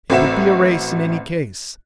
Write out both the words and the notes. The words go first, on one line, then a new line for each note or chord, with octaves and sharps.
It would be a race, in any case.
A1 C4 F#4 E5 E7